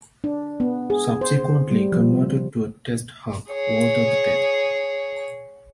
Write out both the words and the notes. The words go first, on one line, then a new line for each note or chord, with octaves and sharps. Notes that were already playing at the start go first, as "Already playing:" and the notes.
Subsequently, converted to a test hulk, Walter the Tenth.
D4
B3
G#4
C5
G3
F3
G#4 C#5